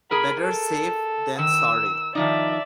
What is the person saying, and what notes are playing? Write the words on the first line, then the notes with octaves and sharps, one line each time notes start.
Better safe than sorry.
G#4 A#4 B5
A4
D#3 E6
D#3 F3 D#4 D5 E5